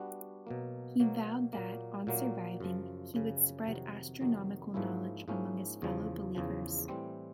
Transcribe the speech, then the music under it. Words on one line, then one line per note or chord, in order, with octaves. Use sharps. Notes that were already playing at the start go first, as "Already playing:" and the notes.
He vowed that, on surviving, he would spread astronomical knowledge among his fellow believers.
Already playing: G3 B3 D4 F#4 B4
B2 F#3 A#3
B2 F#3 A#3
A#2 F#3 A#3
A#2 F#3 A#3
F#2 C#3 F3
F#2 C#3 F3
F2 C3 D#3 F#3
F2 C3 D#3 F#3
G#2 F3 A#3 C#4 E4
G#2 F3 A#3 C#4 E4
E2 C#3 F3
E2 C#3 F3
A2 E3 G3 C4